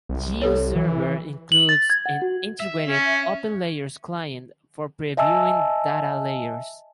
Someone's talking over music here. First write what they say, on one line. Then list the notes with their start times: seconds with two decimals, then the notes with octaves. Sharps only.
GeoServer includes an integrated OpenLayers client for previewing data layers.
0.09 C2
0.42 G4 A4 C#5
0.76 E3
1.52 F#7
1.69 A6
1.90 G#6
2.06 F#5
2.22 F#4
2.60 E5
2.88 C#4
5.17 D#5 E5 G#5 A5 E6